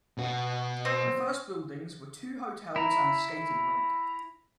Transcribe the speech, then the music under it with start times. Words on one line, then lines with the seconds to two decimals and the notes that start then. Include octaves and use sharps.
The first buildings were two hotels and a skating rink.
0.18 B2 F#4
0.85 C4
2.76 E4 A#5